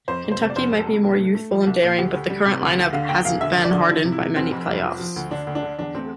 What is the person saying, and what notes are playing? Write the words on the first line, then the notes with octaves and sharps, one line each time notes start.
Kentucky might be more youthful and daring, but the current line-up hasn’t been hardened by many play-offs.
F2 C5
F2
C5
C3
D5
F1 C5
G3
A4
F2
A#2
A3
A3
F3
C2
A#2
D2 G4
D2
G3
C3
D2
D2
D3 F5
D2 G5
E1 F5
D3 E5
E1
D5
D3
F3 E4
C3
E4
C3
F1 C4
F2
F1
F3
F3
D2
D3 D4
D2
D4
D3
E2 D4
A3 C4